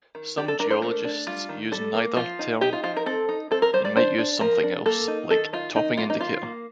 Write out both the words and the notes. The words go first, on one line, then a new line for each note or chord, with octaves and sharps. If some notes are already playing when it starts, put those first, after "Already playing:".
Some geologists use neither term, and might use something else, like topping indicator.
D#3
D4 G4
A4
D4 A#4
C5
A3 A#4
D4
G3 F4
D#3
G3 A4
A#3
F3 F4
D#4
D#4 G4
F4
F3 F4
A#4
C4 A4
D#4
C4 A4
A#4
G3 C5
D5
D4 C5
D4
F3 A#4
D4
A#3 A4
D#4
D#3 A4
D#4 F4
D#3 D#4
A#3 F4
D#4
D#3 F4
A#3